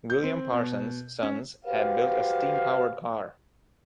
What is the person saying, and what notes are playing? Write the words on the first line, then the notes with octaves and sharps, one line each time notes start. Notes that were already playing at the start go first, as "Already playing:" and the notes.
William Parsons' sons had built a steam-powered car.
G6
C4
B2
C#4
F#4 G4 B4 C5 F5